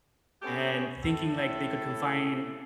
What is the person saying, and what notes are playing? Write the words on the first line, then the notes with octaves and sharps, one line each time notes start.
and thinking, like, they could confine
A3 B3 C#4 G4 G#4 C#5
A2 A4